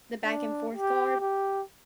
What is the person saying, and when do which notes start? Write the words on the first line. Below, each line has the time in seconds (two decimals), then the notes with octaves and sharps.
The back-and-forth guard.
0.25 D4
0.73 G4
1.20 G4